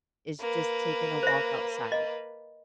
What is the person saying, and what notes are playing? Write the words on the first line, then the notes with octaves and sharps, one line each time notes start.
is just taking a walk outside.
A#3 B4
C5 E5
D#5